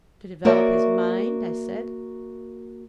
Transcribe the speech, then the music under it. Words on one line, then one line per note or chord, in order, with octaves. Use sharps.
"To develop his mind," I said.
A#3 F#4 A#4 C#5 D5 E5